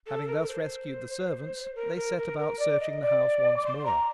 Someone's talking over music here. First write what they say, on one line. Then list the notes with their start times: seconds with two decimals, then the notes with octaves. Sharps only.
Having thus rescued the servants, they set about searching the house once more.
0.07 A4
0.27 A#4
0.41 A#4
0.48 C5
1.75 A#4
1.96 A#4
2.18 A#4
2.39 A#4
2.59 D5
2.80 D#5
3.02 D5
3.56 D6
3.65 C6
3.85 A#5